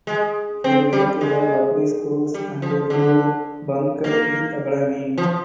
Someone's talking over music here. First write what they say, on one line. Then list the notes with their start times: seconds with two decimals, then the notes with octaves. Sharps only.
He went to the public schools and to Bunker Hill Academy.
0.07 G#3
0.64 C4
0.93 G3
1.21 G#3
2.34 G3
2.62 F3
2.90 D3
4.04 A#3
5.18 F3